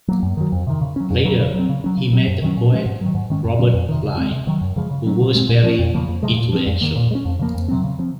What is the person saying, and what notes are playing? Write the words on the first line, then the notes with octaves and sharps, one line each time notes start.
Later he met poet Robert Bly, who was very influential.
F#3 A#3
F#2
D#3 F#3
F2
C3 D#3
C#3
F#3 C#4
F2
C#3 F#3 C#4
C#3
F#3 C4
C#3
F#3 C#4
C#3
F#3 C4
F#2
D#3 F#3 C#4
A#2
F3 G#3 C#4
G#2
D#3 F#3
G#2
D#3 G#3 C#4
F#2
C#3 F#3 C#4
F2
C3 D#3
C#3
G#3 C4
C3
D#3 F#3
F#2
C#3 F3 G#3
C#3
F#3 C#4
C#3
G#3 C4
A#2
F3 A#3 C#4
F2
C#3 F3 A#3
F2
C3 F3 G#3
A#2
F3 C4
F2
D#3 A#3
A#2
G#3
C#4
F2
C#3 F3 A#3
F2
C3 F#3 C4
C#3
F3 C4